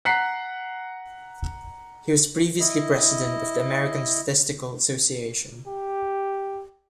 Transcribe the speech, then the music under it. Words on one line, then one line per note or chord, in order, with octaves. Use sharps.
He was previously president of the American Statistical Association.
F#5 A#5 F#6 B6 C7
E4 D#5
G4